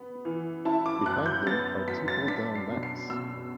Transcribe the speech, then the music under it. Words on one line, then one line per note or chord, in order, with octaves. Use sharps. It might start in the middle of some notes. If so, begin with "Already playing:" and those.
Behind him are two pull-down maps.
Already playing: B3
E3
E4 A5
D6
F#2 F#6
G6
B3 A6
F#2 B6
A6
D4 B6
C7
B2
C7
B2 E6